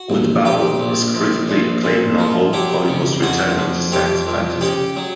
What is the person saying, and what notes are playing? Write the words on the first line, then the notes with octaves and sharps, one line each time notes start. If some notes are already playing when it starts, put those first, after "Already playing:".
With "Babel", his critically acclaimed novel, Colin was returning to science fantasy.
Already playing: F#4
A#1
A#1 G4
A#1
A#1
A#1
A#2
F3
F#3 G4
C#3
F2 F#4
F2
F2 G4
F2
C#3 G4
F#3